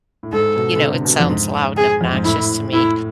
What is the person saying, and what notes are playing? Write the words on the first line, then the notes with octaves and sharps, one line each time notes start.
you know, it sounds loud and obnoxious to me,
A2
G#2 A4
B2
D3
C3
B2
F2
G#2
G#4
F2
G#2
A2 E4
A2 E4